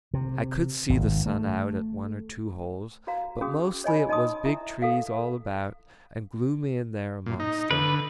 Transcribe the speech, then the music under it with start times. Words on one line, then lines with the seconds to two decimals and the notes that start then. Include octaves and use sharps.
I could see the sun out at one or two holes, but mostly it was big trees all about, and gloomy in there amongst them.
0.14 C3
0.89 G#1
1.26 A3
3.07 F#4 B4 F5 A#5
3.41 C#4 F#4 G#4 D#6
3.84 C#5 D#5 G#5 B5
4.09 D#4 D#5 A5 C6 D#6
4.45 E4 E5 A#5
4.82 A4 F5
7.26 A#2
7.40 D#4
7.71 D3 B4